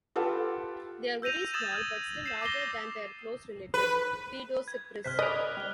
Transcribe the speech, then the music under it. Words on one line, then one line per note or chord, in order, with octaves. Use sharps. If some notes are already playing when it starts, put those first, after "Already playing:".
They are very small, but still larger than their close relatives "Paedocypris".
F4 G4 A4 B4 F#5
E6 G6 A#6 D#7 F7
D#6 E6 G#6 A6 E7
G6 C7 E7
D6 A#6 C7 G7
B4
G#6
G1 C3 C5 F6 F#6 B6
D5 D#5 B5 D6 D#6 F#6 F7
G3 F#6 G7